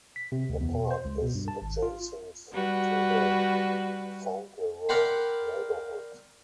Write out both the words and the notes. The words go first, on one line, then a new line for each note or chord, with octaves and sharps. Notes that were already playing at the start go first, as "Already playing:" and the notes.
The park is adjacent to the Fauntleroy neighborhood.
B6
C3
D2
E2
B2
C5
C#2
B2
G2
A5
G#1
F4
G3 F#4 B4
A#4 D5 F#5 G5 B5 C6